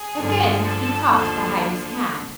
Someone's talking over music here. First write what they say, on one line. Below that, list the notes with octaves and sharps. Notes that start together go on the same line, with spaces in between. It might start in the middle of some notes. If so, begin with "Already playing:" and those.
Again he coughed behind his hand.
Already playing: G#4
G2 D3 F3
A4
D#2 D3 F3